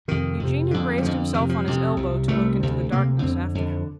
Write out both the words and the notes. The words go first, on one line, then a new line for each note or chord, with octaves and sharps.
Eugene had raised himself on his elbow to look into the darkness after him.
F2 C3 D#3
F2 C3
F2 D3
G3
F2 D3 F3
F2 C3 D#3
F3
F2 C3
C2 C3
C2 C3 A3
D2 C3
D2 C3 A#3
F2 D3 C4
F2 D3